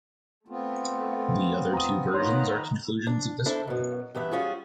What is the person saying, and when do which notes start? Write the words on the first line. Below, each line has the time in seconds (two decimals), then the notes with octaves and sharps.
The other two versions are conclusions of this one.
0.48 A3 B3 C4 F4
1.73 A#5 D#6
2.14 D#3 A#3 B3 F4 B4 C#5 A#5 C6
3.07 D4
3.46 D4 E4 A4 C5
3.67 F#2 B2
4.15 G2 E3 B3 E5
4.31 G3 C#4 F4 F#4 G#4